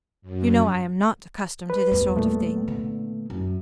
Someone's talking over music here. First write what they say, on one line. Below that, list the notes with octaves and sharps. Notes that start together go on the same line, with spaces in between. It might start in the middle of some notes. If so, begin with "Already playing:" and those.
You know I am not accustomed to this sort of thing.
F#2
B4
E2 G3
A#2 A3 B3
D3
F#2